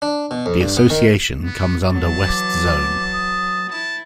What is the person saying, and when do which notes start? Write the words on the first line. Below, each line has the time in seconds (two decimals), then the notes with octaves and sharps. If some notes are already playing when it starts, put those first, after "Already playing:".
The association comes under west zone.
0.02 D4
0.31 B2
0.46 F2
0.61 G2
0.77 B3
0.90 D#3
1.45 B3
1.92 E3 F#3 A5
2.27 D6
3.12 D#6
3.70 E4 A5